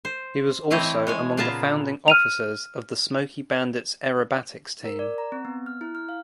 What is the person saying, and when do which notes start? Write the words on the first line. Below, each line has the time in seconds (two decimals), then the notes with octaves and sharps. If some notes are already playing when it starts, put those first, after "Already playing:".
He was also among the founding officers of the "Smokey Bandits" Aerobatics Team.
0.05 C5
0.70 E3 A3 C4 E4 C#5 D#5
0.83 E4
1.07 G#3 C#5 G#5
1.37 A#2 C#3 B3 F4 A5 A#5
2.08 F6 D#7 F7
4.85 A#4
4.99 D5
5.18 A#5
5.32 C4
5.45 B3
5.66 F6
5.81 E4
5.95 F6
6.09 F5